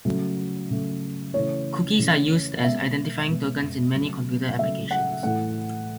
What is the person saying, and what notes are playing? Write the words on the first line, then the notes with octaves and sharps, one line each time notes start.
Cookies are used as identifying tokens in many computer applications.
C#3 F#3 A3
C#3 F#3 A3
C#3 E3 A3 C#5
C#3 E3 A3
B2 G#3 B3 E5
B2 G#3 B3
C#3 F#3 A3
C#3 F#3 A3 E5
F#5
A2 E3 A3 F#5